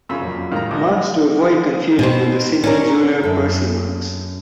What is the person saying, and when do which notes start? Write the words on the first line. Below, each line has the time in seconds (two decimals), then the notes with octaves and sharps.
Marks to avoid confusion with the Sydney jeweller Percy Marks.
0.09 F#2 C#3 F4 B5 E6
0.21 F2 A#2 F#3
0.52 A2 D#3 G#3 F5 A#5
0.71 C#2 A4 D#5 D6
0.86 A2 F#3 C4
1.99 B2 C4
2.64 C#4 D4 A#4
3.23 F#2 A4